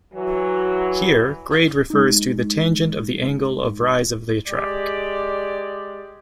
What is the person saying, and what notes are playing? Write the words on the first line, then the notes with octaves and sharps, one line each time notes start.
Here grade refers to the tangent of the angle of rise of the track.
E3 F#3
G#3 D#4
G#3 G4 D5